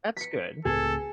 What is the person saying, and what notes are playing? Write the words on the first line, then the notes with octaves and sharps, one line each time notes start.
That's good.
B6 C#7
C#2 A2 C4 G#4 A4